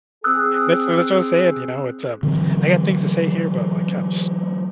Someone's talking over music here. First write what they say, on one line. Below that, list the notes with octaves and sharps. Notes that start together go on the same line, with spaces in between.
That's that's what I'm saying, you know, it's, um I got things to say here, but, like, I'm just,
C4 G#4 D#6 E6 F#6
D3 E3 F#3 C4